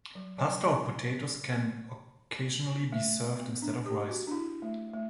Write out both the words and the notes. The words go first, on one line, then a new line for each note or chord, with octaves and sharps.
Pasta or potatoes can occasionally be served instead of rice.
F#3
F#3
F#3
A3
B3
D4
G4
F#4
D4
E4
A3
A3